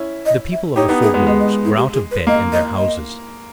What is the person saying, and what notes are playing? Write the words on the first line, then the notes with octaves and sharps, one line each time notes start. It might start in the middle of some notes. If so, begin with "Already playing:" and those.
The people of the faubourgs were out of bed in their houses.
Already playing: C#4 E4
D#5
E5
D#4 G4 C#5
B3 D#4
G#4
G#3 B3
G#3 D#5
D#5
E4
G4
G#4
B4
A#3 D#5
D#5
D#5